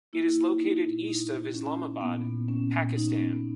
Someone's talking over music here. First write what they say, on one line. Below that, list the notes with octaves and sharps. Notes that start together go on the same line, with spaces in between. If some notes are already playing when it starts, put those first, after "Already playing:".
It is located east of Islamabad, Pakistan.
A#3 E4
A#3
A#3 D#4
A#2
A#2 D#4
A#3
A#2 C#4
A#3
A#2 B3
A#2
A#3 C#4
A#2
A#2 D#4
C#4
A#3 B3
B3